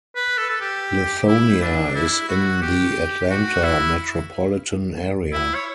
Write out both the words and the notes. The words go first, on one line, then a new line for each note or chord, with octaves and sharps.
Lithonia is in the Atlanta metropolitan area.
B4
A4
A4
G4
E4
D4
E4
F#4
G4
F#4
E4
E4
C#5